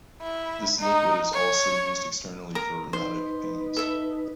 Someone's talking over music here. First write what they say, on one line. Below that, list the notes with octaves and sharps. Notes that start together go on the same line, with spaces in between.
This liquid is also used externally for rheumatic pains.
E4
D#4
C#5
A#4 A#5
D#4 B4 C5
A4 E5